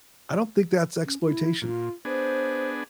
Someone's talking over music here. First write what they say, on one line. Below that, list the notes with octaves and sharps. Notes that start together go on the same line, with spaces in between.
I don't think that's exploitation.
C#4
E4
A#2 F4
B3 D4 G#4 C5